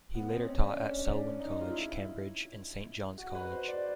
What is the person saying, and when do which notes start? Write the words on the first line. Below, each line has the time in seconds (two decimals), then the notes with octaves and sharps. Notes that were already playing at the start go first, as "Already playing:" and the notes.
He later taught at Selwyn College, Cambridge and Saint John's College.
0.15 B3
0.28 C4
0.41 C#4
0.58 D4
0.73 C#4
0.90 C#4
1.06 D4
1.40 D#4
1.61 F4
1.72 E4
3.18 F#4
3.35 B4
3.51 C5
3.68 D5